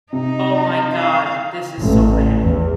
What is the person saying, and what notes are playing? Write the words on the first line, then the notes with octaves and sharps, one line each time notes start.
"Oh my God, this is so bad."
C3 D#4
F5
A1
E2